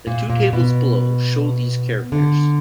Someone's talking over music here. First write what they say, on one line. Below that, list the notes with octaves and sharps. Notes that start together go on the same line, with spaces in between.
The two tables below show these characters.
A#2
A#2
B2
D3